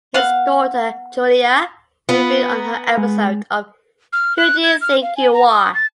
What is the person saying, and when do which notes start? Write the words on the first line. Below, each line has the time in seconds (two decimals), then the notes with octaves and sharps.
His daughter Julia revealed on her episode of Who Do You Think You Are?
0.14 B3 F5 F#5
2.09 B3 F4
2.58 A#5
2.97 G#3
4.13 F6
4.37 F#6
4.64 G#6
4.81 F6
5.02 F5
5.17 G#5
5.33 A#5
5.51 D#6
5.75 A6